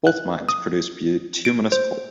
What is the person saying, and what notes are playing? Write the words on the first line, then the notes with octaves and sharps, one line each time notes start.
Both mines produce bituminous coal.
F#6
D#6
D7
C5